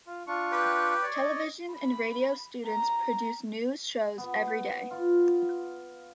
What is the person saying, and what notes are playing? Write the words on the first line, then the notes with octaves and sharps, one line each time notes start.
Television and radio students produce news shows every day.
F4
D4 F4 C#6
G4 B4 G5
C#5 D5
D#5
B5
A#5
B3
F4